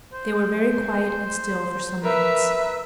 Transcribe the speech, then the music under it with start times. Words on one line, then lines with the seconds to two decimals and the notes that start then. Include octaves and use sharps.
They were very quiet and still for some minutes.
0.13 C5
2.03 A#4 B4 E5